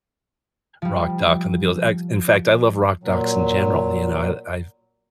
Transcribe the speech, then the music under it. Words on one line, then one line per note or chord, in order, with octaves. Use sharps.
rock doc on the Beatles a in fact I love rock docs in general, you know? I I've I
F3 G3
A#2 F#3